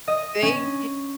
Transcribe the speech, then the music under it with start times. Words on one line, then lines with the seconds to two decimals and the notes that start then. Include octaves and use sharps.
Thank you
0.08 D#5
0.42 C#4